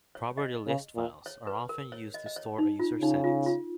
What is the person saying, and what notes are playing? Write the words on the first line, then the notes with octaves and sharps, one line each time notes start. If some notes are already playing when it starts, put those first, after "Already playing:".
Property list files are often used to store a user's settings.
C#5
D#5
C#3
A#2
C#5
B4
A#4
C#5
D#5
D#5
C#5
D#4
F4
C#3 D#4
F4
F4